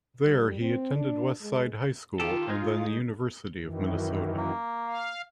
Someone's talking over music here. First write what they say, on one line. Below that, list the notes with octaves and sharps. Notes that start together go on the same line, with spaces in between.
There, he attended West Side High School and then the University of Minnesota.
G3
C4
D4
G#3
D#3 F4 G4 A4
G#3 D#4
F#2 D#3 E3
A#3
F5